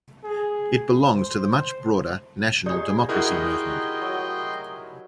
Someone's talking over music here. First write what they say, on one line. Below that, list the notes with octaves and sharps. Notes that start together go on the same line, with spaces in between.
It belongs to the much broader National Democracy Movement.
G#4
C5
D#4 G4 G#4 D5
D#4 E4 F#4 G#4 A#4 D#5 G5 C6
F#3